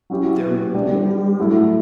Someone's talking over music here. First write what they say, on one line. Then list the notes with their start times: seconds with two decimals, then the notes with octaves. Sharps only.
they're more
0.10 F#3 C#4 E4 G4
0.74 G3 D4 G4
1.39 A2 F#3 A3 E4